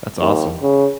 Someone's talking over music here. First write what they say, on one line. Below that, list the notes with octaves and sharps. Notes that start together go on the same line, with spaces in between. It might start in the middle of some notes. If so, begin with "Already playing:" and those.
That's awesome.
D#2
C#3